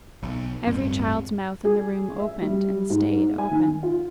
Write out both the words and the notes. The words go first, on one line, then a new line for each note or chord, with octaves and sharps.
Every child's mouth in the room opened, and stayed open.
B1
D1 G2 C4
G#4
E5
G3
G#2
G#5
D#3
F4